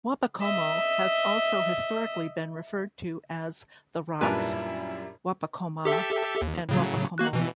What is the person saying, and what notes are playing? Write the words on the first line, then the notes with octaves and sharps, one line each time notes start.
Wappocomo has also historically been referred to as The Rocks, Wapocoma, and Wapocomo.
D#5 E5
F#2 A#2 G3 D4 E4 A#4 B4 G#5
G4 A4 E5
D#2
A2 C#3 F#3
A#3 F#4 F#6
B2 E3